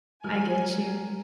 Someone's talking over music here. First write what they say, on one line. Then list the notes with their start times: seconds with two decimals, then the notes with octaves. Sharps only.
I get you.
0.24 F#3 G#3 A#4 G#5 E6 F6